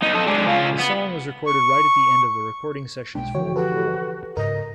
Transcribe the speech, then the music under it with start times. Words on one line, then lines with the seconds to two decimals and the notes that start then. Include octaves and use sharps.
The song was recorded right at the end of the recording sessions for "War".
0.02 B3 D#4
0.14 A4 D#5
0.27 G#3 D4
0.46 C#3 F4
0.79 B3
1.46 C#6
3.15 B1 G#3 D4 G5
3.35 D3 E3 F3 F#4 C#5
3.56 F#4 G4 A4 B4
4.37 G#2 C#3 A#4 D#5